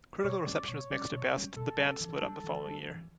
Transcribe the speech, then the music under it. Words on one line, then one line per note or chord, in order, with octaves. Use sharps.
Critical reception was mixed at best, and the band split-up the following year.
D5
B2 C#5
G3 C#4 D5
B2 C#5
G3 C#4 D5
B2 C#5
G3 C#4
B2 A4
G3 C#4
E3
G3 D4
E3
G3 D4
E3